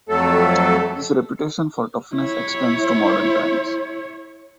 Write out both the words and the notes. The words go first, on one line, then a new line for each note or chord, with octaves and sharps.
This reputation for toughness extends to modern times.
F2 F#3 A3 A4
E4 C#5